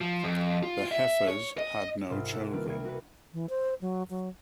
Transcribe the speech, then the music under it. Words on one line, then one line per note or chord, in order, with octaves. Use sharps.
The Heffers had no children.
F3
F2
F4
E5
C#5
D#5
C2 G#2 F4 E6
E4 F#5 A5 E6
D#3 G3 A#3 F4 B4
C2 F4 G#6
F#4 B4
E3
C5
F#3
F#3